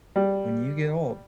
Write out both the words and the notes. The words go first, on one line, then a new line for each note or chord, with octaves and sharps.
when you get old,
G3